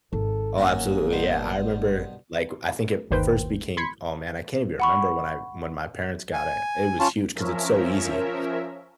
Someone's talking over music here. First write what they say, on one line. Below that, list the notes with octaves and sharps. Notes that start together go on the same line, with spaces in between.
Oh, absolutely, yeah, I remember, like, I think it first became oh, man, I can't even remember when I, when my parents got it, it was huge 'cause it's so easy.
G#1 A4
F#3 A#3 C#4 F#4
G2 B2 C5
G1 D#2 B4 C5 G5
B5 C6 G#6 B6 C#7
F#5 B5 C#6
G#5
C#4 F4 A5
F3 C#4 A#4 E5